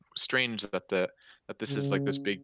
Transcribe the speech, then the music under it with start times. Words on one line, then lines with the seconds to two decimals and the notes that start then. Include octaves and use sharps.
strange that the that this is, like, this big,
1.69 C#3